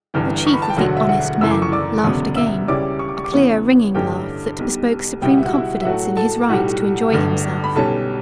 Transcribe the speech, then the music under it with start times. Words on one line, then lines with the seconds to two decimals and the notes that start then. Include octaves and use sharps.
The chief of the "honest men" laughed again, a clear, ringing laugh that bespoke supreme confidence in his right to enjoy himself.
0.14 G1 G2 E3
0.46 C#6
0.54 B5
0.62 A5
0.70 G5
0.77 E1 D2 D3 F#3 F#4 F#5
0.97 E5
1.09 F#4 F#5
1.41 F#1 F#2 E3 A3 E4 E6
1.51 D6
1.62 C#6
1.72 D5 D6
2.04 E1 D2 C#3 F#3 B3
2.36 E5 E6
2.68 C#2 C#3 G3 C#4 E4 D5 D6
2.99 C#6
3.08 D6
3.17 C#6
3.24 D6
3.32 E2 C#3 E3 B3 C#5 C#6
3.95 A1 G2 D3 A3 C#4 G4 G5
4.59 B1 B2 G3
5.21 C#2 B2 G3 B3 E4 G5
5.30 F#5
5.38 E5
5.45 F#4 F#5
5.53 E4 E5
5.81 E5
5.85 A2 F#3 A3 F#4 F#5
6.17 A4 A5
6.49 B1 A2 G3 F#4 F#5
7.12 G1 G2 D3 A3
7.64 B5
7.76 B1 B2 G3 C#4 A4 A5